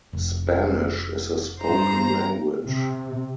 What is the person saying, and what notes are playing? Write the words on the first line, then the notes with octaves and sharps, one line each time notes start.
Spanish is a spoken language.
F1
G2 C5 A#5
C3